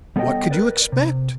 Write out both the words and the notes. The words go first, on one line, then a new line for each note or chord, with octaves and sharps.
What could you expect?
G3 B3 A4 C#5 D#5 G5
A#4 B4 D5
C3